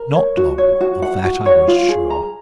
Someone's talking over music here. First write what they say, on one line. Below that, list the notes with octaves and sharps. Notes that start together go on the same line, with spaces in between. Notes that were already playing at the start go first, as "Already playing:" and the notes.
Not long; of that I was sure.
Already playing: A#4
C#5
F#4
C#5
F#4
F#5
F#4
C#5
F4
G#4
A#5